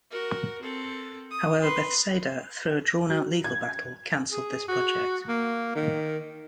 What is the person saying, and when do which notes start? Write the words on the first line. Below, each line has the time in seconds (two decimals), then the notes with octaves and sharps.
However Bethesda, through a drawn out legal battle, cancelled this project.
0.11 F#4 A#4
0.62 C4 A4
1.31 D#6
1.60 B4 C6
3.09 F#3
3.44 G#6
4.32 G#4
4.68 F#4
5.28 A#3
5.75 D#3